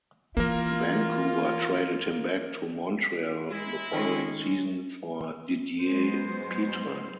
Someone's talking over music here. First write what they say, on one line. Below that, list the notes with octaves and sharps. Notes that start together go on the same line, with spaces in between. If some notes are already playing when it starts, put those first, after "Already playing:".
Vancouver traded him back to Montreal the following season for Didier Pitre.
E3 A#3 F4 A#4
G#3 E4
D#3 G#3 C#4
F#3 G#3 B3 C5